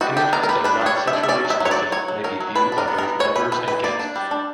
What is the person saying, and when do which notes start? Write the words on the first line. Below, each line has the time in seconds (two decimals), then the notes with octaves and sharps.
Images that are not sexually explicit may be viewed by both members and guests.
0.01 G3 F#4
0.17 D4 G4
0.33 B3 A#4
0.43 A#4
0.49 G3 B4
0.64 D4 B4
0.81 G3
0.86 C#5
0.97 G3
1.07 E5
1.13 D4
1.23 E5
1.28 C#4 D5
1.45 F#3
1.50 E5
1.60 F#3 C#5
1.71 D5
1.76 F#3
1.92 F#3 C#5
2.08 F#3
2.24 F#3 A#4
2.40 F#3
2.55 D4 B4
2.72 D4
2.78 A#4
2.88 B3
2.98 A#4
3.03 E3
3.19 E3 C#5
3.35 E3 B4
3.52 E3 B4
3.68 E3 B4
3.83 A#3 D5
3.99 D4
4.16 G3
4.31 D4